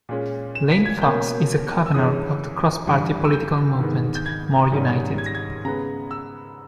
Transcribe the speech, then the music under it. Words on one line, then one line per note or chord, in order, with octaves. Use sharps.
Lane Fox is a Covenor of the cross-party political movement, More United.
A#2 G#3 C#4
E7
B6
G#6
B2 A#3 C#4 G6
E6
G2 E3 G#3 C#4 D#6
G2 E3 G3
E6
G6
G#2 D#3 G#3 B3
G6
G#6
G#2 D#3 G3 C#4
G#6
A#6
G#6
C#3 G#3 B3 A#5
E6